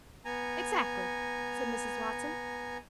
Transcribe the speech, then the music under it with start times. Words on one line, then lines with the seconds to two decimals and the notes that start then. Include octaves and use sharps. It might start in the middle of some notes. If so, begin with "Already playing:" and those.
"Exactly," said Mrs. Watson.
0.25 B3 G#5 A#5